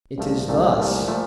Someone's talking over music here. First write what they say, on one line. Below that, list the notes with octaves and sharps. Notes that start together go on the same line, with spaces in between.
"It is thus."
C2 A#2 F3 A3
C2 A#2 F3 A3
C2 A#2 F3 A3
A#2 F3 A3